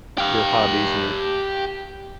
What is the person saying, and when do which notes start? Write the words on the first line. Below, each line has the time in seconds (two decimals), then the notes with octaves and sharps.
your hobbies and your
0.18 G4 F5